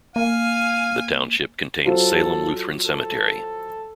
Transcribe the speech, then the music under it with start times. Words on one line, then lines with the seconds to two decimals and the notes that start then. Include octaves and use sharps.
The township contains Salem Lutheran Cemetery.
0.16 A#3 F5 G#5
1.86 F#3 F4 A4 C5
2.86 A4